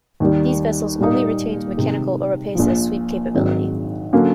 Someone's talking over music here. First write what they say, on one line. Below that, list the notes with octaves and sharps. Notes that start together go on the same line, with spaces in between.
These vessels only retained mechanical "Oropesa" sweep capability.
D#2 D#3 G3
A#2 G3 A#3 D#4
C3 D#3 G#3
A#1 A#2 F3
G#1 G#2 D#3 F#3
D3 F#3 A#3 C#4